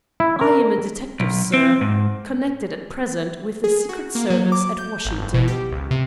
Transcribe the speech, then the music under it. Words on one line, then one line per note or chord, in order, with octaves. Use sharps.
I am a detective, sir, connected at present with the Secret Service at Washington.
E4
A#4
B1
C4
G#2
G#4
F#4
A#3
F#3
D6
G6
G#1
G1
B2
G4
C#2
C3